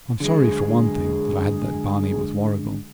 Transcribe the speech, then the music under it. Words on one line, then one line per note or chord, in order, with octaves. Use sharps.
I'm sorry, for one thing, that I had that barney with Warrigal.
D3 F#3 G#3 G#4